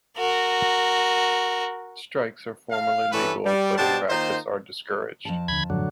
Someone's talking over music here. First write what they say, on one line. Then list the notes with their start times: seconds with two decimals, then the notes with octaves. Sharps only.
Strikes are formally legal, but in practice are discouraged.
0.17 F#4 A#4
2.71 F5
3.12 G2 E3 C#4 A4 B4
3.45 G3
3.78 B2 G3 D4 G4 C5 A5
4.10 D#3 A#3 D#4 F4 C5
5.25 F2 G#2 A5
5.48 D#2 D3 B5 G#6
5.70 F#2 A2 D3 F3 F#3